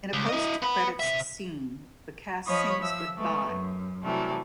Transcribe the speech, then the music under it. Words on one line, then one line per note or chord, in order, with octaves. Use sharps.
In a post-credits scene, the cast sings Goodbye!
C#2
E4 D#5
B3 B5
C3 E5
F3 C#5 D#5 B5 C#6 D#6
F3 E5 E6
G#3 A3 B3
F#2
C3 E3 F#3 G3 A3